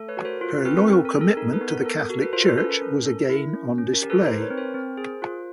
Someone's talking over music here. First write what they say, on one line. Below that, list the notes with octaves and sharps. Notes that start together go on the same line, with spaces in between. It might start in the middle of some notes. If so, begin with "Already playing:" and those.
Her loyal commitment to the Catholic Church was again on display.
Already playing: A3 A4
B4 C#5
F#4
A#4 C5
F4
C4 A4 B4
A#4
C4 A4
A#4
G#4
A4
D#4 A#4
A4 B4
B3
A#4
A4 A#4
A#4
F#4
A4 B4
F4 A#4 C5
A4 B4
C#4 A4 B4
A#4
C#4
A4
E4
C#4
C#4
A#4
G4
A4 B4
D#4 A#4 C5
B4 C#5
C4
A#4 C5
C4
G#4
F4